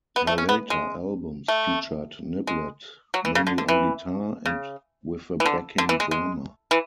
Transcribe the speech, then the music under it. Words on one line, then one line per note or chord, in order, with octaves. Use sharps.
Her later albums featured Niblett mainly on guitar, and with a backing drummer.
B3
A3
C#4
B3
G#3
A3
G#3
F#3
E3
C#3
D3
D3
E3
C#3
E3
D3
D3
E3
G#3
G#3
E3